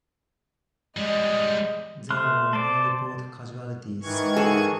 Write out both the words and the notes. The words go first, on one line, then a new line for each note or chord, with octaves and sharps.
There were no reported casualties.
G3 G#3 D#5
A3 C6 F6 F#6
A4 C5 D5
G#2 D#3 E3 C#6 G#6
F#4 G#4 A4